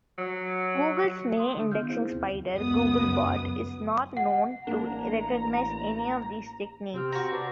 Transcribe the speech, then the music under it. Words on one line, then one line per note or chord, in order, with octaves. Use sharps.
Google's main indexing spider, Googlebot, is not known to recognize any of these techniques.
F#3
C6 D#6
D3 D4
D#3 B3 F4 F5 F6 G6
C4 D#4 E4 G#4 C5
D#2 C3
C#2 F#2 B3 D#6
F#5
A1 A#3 D4 A#5
C3 C4 G4 F6
F#4 A#5
D4 B4